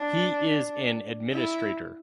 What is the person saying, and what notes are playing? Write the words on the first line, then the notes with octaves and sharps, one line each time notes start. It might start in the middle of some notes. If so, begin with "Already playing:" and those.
He is an administrator.
Already playing: D4
E4